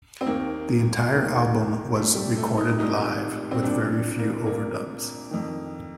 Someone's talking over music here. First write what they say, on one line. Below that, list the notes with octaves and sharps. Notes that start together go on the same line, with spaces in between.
The entire album was recorded live with very few overdubs.
C4
D#2 D#3 A#3
D#2 D#3
C2 A#2 A3
G3
A3
D#4
C2 A#2 D#4
C4
C2 A#2 D4
A#3
C2 A#2 A#3
F2 D#3